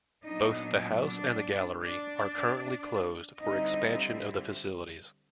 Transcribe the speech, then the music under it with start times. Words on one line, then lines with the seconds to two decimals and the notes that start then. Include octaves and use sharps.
Both the house and gallery are currently closed for expansion of the facilities.
0.25 A#2 F#3 B3 D4 D#4 D#5
1.04 D4 D5
1.82 D4 D5
3.41 D3 G3 C4 D#4 E4 D#5